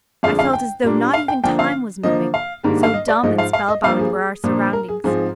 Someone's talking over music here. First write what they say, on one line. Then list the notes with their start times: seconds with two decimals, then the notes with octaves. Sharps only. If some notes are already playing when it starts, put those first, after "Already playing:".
I felt as though not even time was moving, so dumb and spell-bound were our surroundings.
0.23 F2 D3 G#3 D4 F5
0.39 F5
0.53 G5
0.83 A#2 G3 A#3 D4
1.14 F5
1.28 G5
1.43 D3 F3 A#3 D4 G5
1.59 F5
2.03 D3 F3 A#3 D#5
2.34 F5
2.63 G#2 D#3 G3 A#3 D4
2.83 F5
2.94 D#5
3.08 D5
3.23 G#2 F3 G#3 D#5
3.38 F5
3.53 F5
3.68 D#5
3.83 G2 F3 A#3 F5
3.99 G#4
4.44 A#2 F3 A#3 D4
4.73 A#4
4.88 G#4
5.04 G#2 F3 C4 G#4